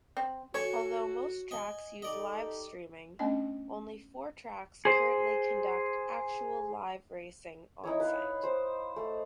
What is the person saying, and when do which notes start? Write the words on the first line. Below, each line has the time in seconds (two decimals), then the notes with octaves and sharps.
Although most tracks use Livestreaming only four tracks currently conduct actual live racing onsite.
0.17 C4
0.54 F#4 A4 C#5 G#5
1.51 D#5 G#5
2.02 D#4 G4 A4 D5 D#5
3.19 A3 B3 C#4 D4 D#5 G5
4.85 G#4 C5
7.83 D#4 E4 C#5
8.00 B4 F5
8.43 C5
8.96 A3